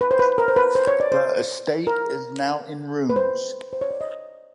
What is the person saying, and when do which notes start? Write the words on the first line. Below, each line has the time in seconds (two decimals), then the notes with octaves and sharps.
The estate is now in ruins.
0.01 B4
0.11 C5
0.19 B4
0.38 A#4
0.48 C5
0.56 B4
0.75 C5
0.87 C#5
1.00 D5
1.12 C5
1.87 A#4
3.10 B4
3.16 C5
3.73 C5
3.81 C#5
3.91 D5
4.01 D#5